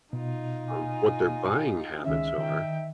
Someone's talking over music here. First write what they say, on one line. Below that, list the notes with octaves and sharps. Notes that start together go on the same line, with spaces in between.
um, what their buying habits are,
B2 D#4 F4
G#5
C#2 D#3 G#3 C#4 E5
D#3 D#4 G5